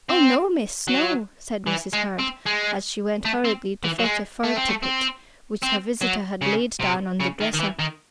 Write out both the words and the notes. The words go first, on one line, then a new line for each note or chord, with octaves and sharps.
"Oh! no, miss, no," said Mrs. Hurd as she went hurriedly to fetch a fur tippet which her visitor had laid down on the dresser.
C4
F#3
E3
G#3
C4
G#3
A3
C4
E3
F#3
G#3
A3
C4
A3
C4
C4
F#3
C#3
C3
C#3
D#3
D#3
E3
D#3